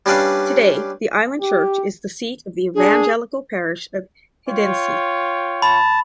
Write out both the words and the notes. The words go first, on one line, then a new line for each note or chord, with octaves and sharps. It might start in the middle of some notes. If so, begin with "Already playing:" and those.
Today the island church is the seat of the Evangelical parish of Hiddensee.
G3 C#4 D4 B4 D5 F5
G4
D4 G#4
F4 C#5 G5
A5 B5